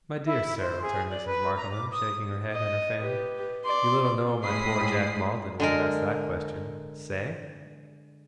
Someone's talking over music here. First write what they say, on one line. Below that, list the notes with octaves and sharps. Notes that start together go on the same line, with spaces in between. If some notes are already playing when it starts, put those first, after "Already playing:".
My dear sir,' returned Mrs. Markleham, shaking her head and her fan, 'you little know my poor Jack Maldon when you ask that question. Say?
E4
C5
G#4
D5
B4
A#5
D6
D#6
D#5
G4 B4
D5 C6
A2 G#3 B5 D#6 C7
D3 G#3 A#4